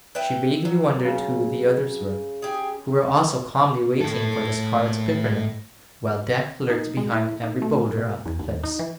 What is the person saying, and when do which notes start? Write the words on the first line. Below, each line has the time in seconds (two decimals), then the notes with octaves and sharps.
She vaguely wondered who the others were, who were also calmly waiting for the Scarlet Pimpernel, while death lurked behind every boulder of the cliffs.
0.15 B4 E5 G5
0.65 F#3
1.05 C#3
2.42 G4 G#4
4.01 A2 A4
6.70 D#4
6.97 G#3
7.12 E4
7.43 D#4
7.62 A3
7.97 B2
8.26 E2
8.39 D#2
8.63 D#4
8.79 E3